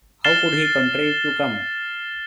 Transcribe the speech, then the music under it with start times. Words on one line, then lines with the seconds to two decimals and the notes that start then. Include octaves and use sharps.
How could he contrive to come?
0.24 F6 A6 C7 E7 G7